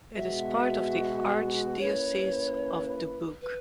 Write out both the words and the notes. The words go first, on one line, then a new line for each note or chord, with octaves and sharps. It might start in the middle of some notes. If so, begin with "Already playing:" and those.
It is part of the Archdiocese of Dubuque.
B2 G#3 B3 F#4 E5
A#3 C#4 E4 B4 C#5
B4